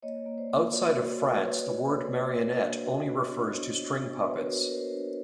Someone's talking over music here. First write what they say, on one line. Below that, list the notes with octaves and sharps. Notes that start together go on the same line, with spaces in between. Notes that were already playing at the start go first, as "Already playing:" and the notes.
Outside of France, the word "marionette" only refers to string puppets.
A#3 C#5 D#5
A#3
C5 D5
A#3
F#4 C5 D5
F#4
A#3
F#4 B4 C#5
A#3
A#3
F#4
A#3
D4
F#4 C#5 D#5
B3
D4
D#5
B3 C5 D5
B3
B3
B3 B4 C#5
F#4 A#4 C5
F#4 A#4 C5
D4